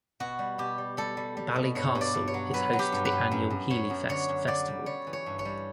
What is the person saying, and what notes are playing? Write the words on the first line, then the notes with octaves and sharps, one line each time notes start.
Ballycastle is host to the annual Healyfest festival.
B2 F#4
G3
B2 G4
G3
G3 A4
G3
G3
B2
G2 C#5
G2
D5
G2
C#5
F#3
F#3 B4
F#3
G4
G2
B4
G2
F#2
F#2
F#2 C#5
F#2
D3 C#5
F#2
D3 D5
G3
G3 C#5
E3
C#5
G2
C#5
G3